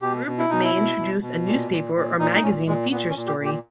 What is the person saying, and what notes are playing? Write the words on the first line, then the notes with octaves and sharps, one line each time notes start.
A blurb may introduce a newspaper or magazine feature story.
B2 G4
B2
E4
B2 D#4
E4
B2
B2
B2
A#2
A#2
A#2
A#2 D#4
D#4
A#2 C#4
A#2 G#3
A#2 B3
C#4
A#2
G4
A#2
G4